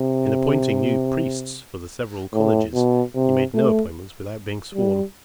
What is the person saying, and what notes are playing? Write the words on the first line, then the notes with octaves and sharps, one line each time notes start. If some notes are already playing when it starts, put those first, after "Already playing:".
In appointing new priests for the several colleges, he made no appointments without being sworn.
Already playing: C3
A2
B2
C3
A3
G3